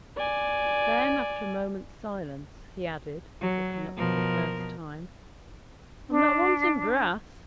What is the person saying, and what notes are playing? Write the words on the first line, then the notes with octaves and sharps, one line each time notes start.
Then, after a moment's silence, he added, looking up for the first time: 'I'm not wanting brass.
D5 G#5
F#3
B2 F3 A#4
D4